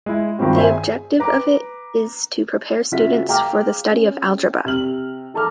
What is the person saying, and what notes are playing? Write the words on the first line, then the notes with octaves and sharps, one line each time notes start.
The objective of it is to prepare students for the study of algebra.
G#3 E4
G2 D#3 F3 G3 C4 F#4
C5 E5 G#5
G#4
B4 A#5 D6
C#3 F4 F#4 E5 B6
G#4 F5 G5 A#5 D6 F6
C#4 G#4
C3 F6 F#7
G#4 A4 A5 A#5 D6 F6